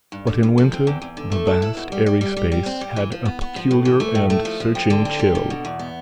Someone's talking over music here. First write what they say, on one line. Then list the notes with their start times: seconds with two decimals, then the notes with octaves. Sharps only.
But in winter the vast airy space had a peculiar and searching chill.
0.12 G2
0.27 D3
0.43 G2
0.58 F3
0.72 C4
0.87 E2
1.02 E2
1.17 D3
1.32 A3
1.47 A4
1.62 E4
1.77 B2
1.92 G3
2.06 G3
2.21 G3
2.37 G3
2.52 G3
2.66 C4
2.81 G3
2.96 E3
3.12 F3
3.25 B3
3.41 B3
3.56 F3
3.71 A2
3.85 E3
4.00 A3
4.15 A2
4.30 A3
4.45 F3
4.60 F3
4.75 C4
4.90 D3
5.05 C4
5.19 G3
5.35 D3
5.50 B2
5.65 E2
5.79 B3